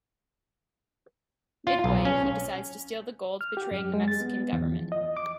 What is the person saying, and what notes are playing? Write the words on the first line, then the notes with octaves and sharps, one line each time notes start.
Midway, he decides to steal the gold, betraying the Mexican government.
F4
B1
C#4
F6
G4
F#2
G#3
A6
B3
E2
F3
D#5
D6